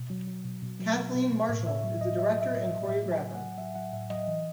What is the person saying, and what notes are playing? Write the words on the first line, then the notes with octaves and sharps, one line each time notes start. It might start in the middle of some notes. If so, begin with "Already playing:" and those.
Kathleen Marshall is the director and choreographer.
Already playing: B2
F#3
F#3
B2
B2
F#3
F#3
B2
B2
A2 E5
A2 E5
F#3
A2 D#5
F#3 E5
F#3
E5
A2
E5
F#3
A2 E5
F#3
G#5
A2
F#5
F#3
F#3 E5
F#3 F#5
A2 E5
F#3 D#5
E3